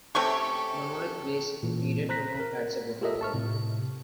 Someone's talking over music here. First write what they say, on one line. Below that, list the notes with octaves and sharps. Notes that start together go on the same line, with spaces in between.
The knowledge-base needed to know facts about the world.
C3 A3 C#4 G4 A4 C#5 C#6
A#2 E3
C5 A#5 F#6 A#6 B6
A#4
F4 G4 A4 A#4 D#5 E5
A5 C#6 F6
A2 C3